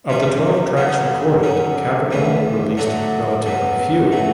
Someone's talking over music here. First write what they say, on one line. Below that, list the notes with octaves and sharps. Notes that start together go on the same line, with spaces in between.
Of the twelve tracks recorded, Capitol released relatively few.
G2 E3 G3 C#4
G2 D3 F#3 B3
D3 F#3 C#4
D2 C#3 E3 B3
D3 F#3 A3 D4 F#4
C#2 B2 F#3
B2 F#3 A3